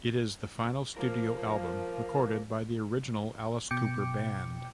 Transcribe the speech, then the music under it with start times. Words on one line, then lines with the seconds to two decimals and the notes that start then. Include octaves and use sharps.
It is the final studio album recorded by the original Alice Cooper band.
0.97 F3 A#3 A#4
3.71 B2 G5 D6 C#7